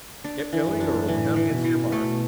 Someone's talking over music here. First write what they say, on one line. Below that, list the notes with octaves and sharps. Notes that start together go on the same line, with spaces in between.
"Get going or it'll count against your mark!"
D4
E3
F#2
D4
A2 E3
E3
B2
E3
B2 A3